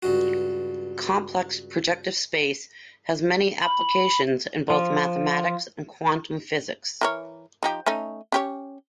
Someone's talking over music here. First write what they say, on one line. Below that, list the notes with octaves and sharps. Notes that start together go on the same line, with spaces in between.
Complex projective space has many applications in both mathematics and quantum physics.
C#2 G2 F#4
B5
F3
E3 A#4 C#5
F3 D#4 G4
A3 C#4 D#4
C#4 G4 C#5